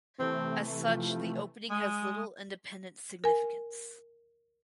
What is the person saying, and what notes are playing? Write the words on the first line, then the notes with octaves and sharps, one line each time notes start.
As such the opening has little independent significance.
C3 E3 A3 C4
F3
G#3 D#6
A#4 G#5